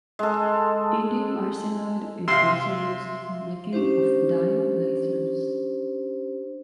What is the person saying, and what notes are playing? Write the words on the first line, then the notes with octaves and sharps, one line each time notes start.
Indium arsenide is also used for making of diode lasers.
G#3 A4
C3 E5 F5 C6 C7
C#4 D4 G4 C5